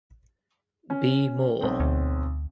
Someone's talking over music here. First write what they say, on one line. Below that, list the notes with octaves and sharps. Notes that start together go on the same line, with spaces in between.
Be Moore.
C#4
B1 C4
D2